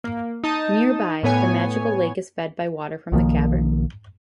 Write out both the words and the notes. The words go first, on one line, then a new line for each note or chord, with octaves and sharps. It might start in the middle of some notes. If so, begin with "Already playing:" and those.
Nearby the magical lake is fed by water from the cavern.
A#3
D#4 A5 D#6
A2 B3 C#5 G#5
B1 D#3 F3 A#3